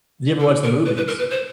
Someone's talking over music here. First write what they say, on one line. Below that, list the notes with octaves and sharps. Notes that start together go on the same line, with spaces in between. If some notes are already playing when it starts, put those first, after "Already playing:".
did you ever watch the movies?
A4
A#4
B4
B4
A#4
B4
C5